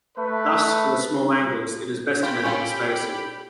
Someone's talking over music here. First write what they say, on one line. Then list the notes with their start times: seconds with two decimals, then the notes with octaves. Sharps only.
Thus, for the small angles, it is best to measure the spacing.
0.17 A3 B4
2.23 F4 G4 G5 B5
2.44 C#4 F4 A4